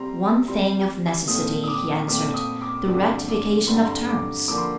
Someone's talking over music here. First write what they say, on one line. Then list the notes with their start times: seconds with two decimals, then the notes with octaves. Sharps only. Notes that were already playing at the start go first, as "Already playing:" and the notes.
"One thing of necessity," he answered--"the rectification of terms."
Already playing: C3 G3 C4 A#5 C6
0.48 C3 G3 C4 C6
1.27 A#2 A3 C4 D#6
1.64 D#6
1.68 D6
2.08 A#2 A3 C4 D6
2.34 D#6
2.62 D6
2.88 G2 D3 A3 C4 D6
3.29 D6
3.67 G2 D3 A3 C4 C6
3.76 A#5
3.85 C6
4.09 D6
4.48 D3 F3 A#3 D6
4.58 C6